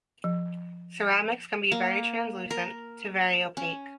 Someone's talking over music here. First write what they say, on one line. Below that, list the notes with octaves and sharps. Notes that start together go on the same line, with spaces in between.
Ceramics can be very translucent to very opaque.
F3
A#3
A#4
C#4